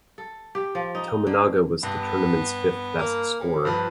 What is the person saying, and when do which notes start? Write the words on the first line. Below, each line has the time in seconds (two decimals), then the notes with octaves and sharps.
Tominaga was the tournament’s fifth best scorer.
0.18 A4
0.55 G4
0.75 F3
0.95 D#4
1.27 D3
1.83 G2 B3
2.98 A#3
3.41 A2
3.65 G2 F3 B4